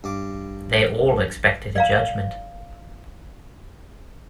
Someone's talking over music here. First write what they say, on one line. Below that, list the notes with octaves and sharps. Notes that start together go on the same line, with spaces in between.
They all expected a judgment.
G2 D6
D5 F5 A#5